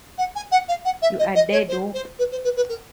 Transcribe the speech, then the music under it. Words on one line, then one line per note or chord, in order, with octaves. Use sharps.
You a dead wop.
F#5
G#5
F#5
F5
F#5
E5
D#5
D#5
C#5
C5
C5
B4
C5
B4
B4
A#4